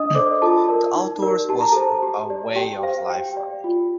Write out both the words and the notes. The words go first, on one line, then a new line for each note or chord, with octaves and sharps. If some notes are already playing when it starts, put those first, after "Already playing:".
The outdoors was a way of life for me.
Already playing: D4 D#5 D#6
A4 C5 D5 D6
F4 A4 A5
A#4 D5
D#4
G4 A#4 D5
G4 A5
A#5
A4 C5 A5
G4
D5
G4 G5
C5 F5
G4 G5
D5
F4